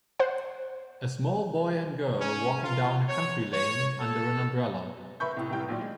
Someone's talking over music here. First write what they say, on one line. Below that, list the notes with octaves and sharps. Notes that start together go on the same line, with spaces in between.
A small boy and girl walking down a country lane under an umbrella.
C5 F#5
C#4
F4
C#5
C#5
A4
F#1 B4 E5 B5 C#6 G6
C2 A2
F1 C2 A2 G3 G5 G6
A#1 A#2 D#3 F#3 D5
G#3